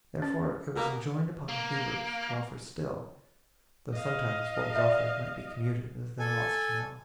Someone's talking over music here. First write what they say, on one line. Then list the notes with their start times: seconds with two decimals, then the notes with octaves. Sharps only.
Therefore it was enjoined upon the Hebrews To offer still, though sometimes what was offered Might be commuted, as thou ought'st to know.
0.22 C#4
0.76 B2 A#3
1.49 A#3
3.93 D#5 F5
4.76 D5 E5
6.19 A4 G#5